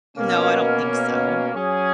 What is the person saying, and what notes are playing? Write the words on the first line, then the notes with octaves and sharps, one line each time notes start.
No, I don't think so.
B2 A#3 C#4
F#3 C#4 G#4